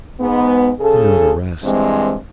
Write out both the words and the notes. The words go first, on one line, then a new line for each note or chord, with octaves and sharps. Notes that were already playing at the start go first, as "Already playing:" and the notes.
You know the rest.
G#2 B3
C#3 G#4 A4
G2 E3 G#3 C4